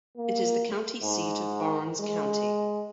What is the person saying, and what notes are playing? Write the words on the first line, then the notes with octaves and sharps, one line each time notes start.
It is the county seat of Barnes County.
A#3
G#2
G#3